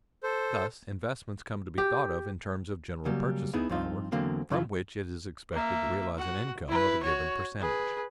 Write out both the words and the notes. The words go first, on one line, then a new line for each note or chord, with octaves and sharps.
Thus investments come to be thought of in terms of general purchasing power, from which it is expected to realize an income of a given percentage.
A4 C5
G4
C#3 F#3 G3 A#3
B3 D#4 E4 G#4
G2 F3 C4 D#4 F4
E2 D3 F#3 A#3 C4
F#2 C#3 E4 F4
A#3 E5
F#4 F#5
E4 B4
F#4 C#5
G#4 B4